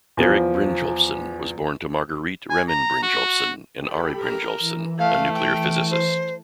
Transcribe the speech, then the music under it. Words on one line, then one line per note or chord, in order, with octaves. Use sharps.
Erik Brynjolfsson was born to Marguerite Reman Brynjolfsson and Ari Brynjolfsson, a nuclear physicist.
E2 F3
G#5
A#5
F#4
G4 A4 B5
A#4
E3
A3 F5
G5
C5